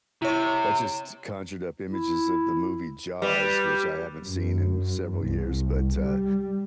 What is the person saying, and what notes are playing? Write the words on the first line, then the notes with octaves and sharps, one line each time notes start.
that just conjured up images of the movie Jaws, which I haven't seen in several years, but, uh
C3 E4 C#5
E4
G3 B4
F#2
C2
G3